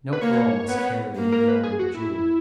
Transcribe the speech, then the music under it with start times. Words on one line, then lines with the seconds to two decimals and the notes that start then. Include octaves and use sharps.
No earl must carry memorial jewel.
0.13 B4
0.21 A#3 C#5
0.69 B3
1.17 A#3
1.32 A#4
1.48 B4
1.63 G#4
1.79 F#4
1.94 E4